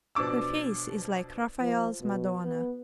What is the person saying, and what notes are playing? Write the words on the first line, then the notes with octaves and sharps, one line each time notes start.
Her face is like Raphael's Madonna.
B2 F3 D4 D6 E6
F3
B2
B3